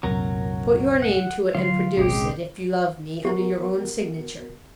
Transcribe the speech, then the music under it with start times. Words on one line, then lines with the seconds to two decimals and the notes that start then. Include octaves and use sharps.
Put your name to it, and produce it, if you love me, under your own signature.
0.03 C2 F#2 A#2 F#3 A#4
1.02 F#5
1.55 D3 F#3 F4 C6
1.97 G1 C2 A#2 C#3 G#3 G4
3.25 B3 F#4 G4 A#4